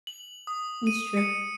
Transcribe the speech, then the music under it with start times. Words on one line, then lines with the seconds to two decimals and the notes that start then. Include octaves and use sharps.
It's true.
0.07 F#7
0.47 D#6
0.87 D#7
1.17 C#7